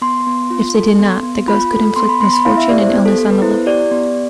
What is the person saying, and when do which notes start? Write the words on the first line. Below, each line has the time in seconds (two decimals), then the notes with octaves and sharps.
If they did not, the ghosts could inflict misfortune and illness on the living.
0.02 B3 C6
0.27 B3
0.50 F4
0.74 A4
0.99 B3
1.23 B3
1.48 F4 B5
1.73 A4
1.96 B3 C6
2.09 B5
2.21 B3 C6
2.33 B5
2.45 E4 F5
2.57 E5
2.69 G4 D5
2.81 C5
2.93 B3
3.06 A4
3.18 B3 A4
3.30 B4
3.42 E4 C5
3.66 G4 D5
3.91 B3